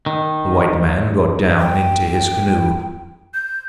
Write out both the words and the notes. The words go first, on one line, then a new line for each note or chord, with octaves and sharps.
The white man got down into his canoe.
D#3
G5
G6